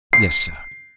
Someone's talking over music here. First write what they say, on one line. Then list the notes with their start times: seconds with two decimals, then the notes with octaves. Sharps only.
"Yes, sir."
0.13 C7